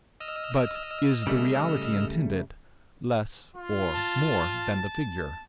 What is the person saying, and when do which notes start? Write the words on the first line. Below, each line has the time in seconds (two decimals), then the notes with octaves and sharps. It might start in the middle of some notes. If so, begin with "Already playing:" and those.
But is the reality intended, less or more than the figure?
0.20 D#5 E6 F6
1.27 C#3 G3 A3
3.56 F4
3.93 A5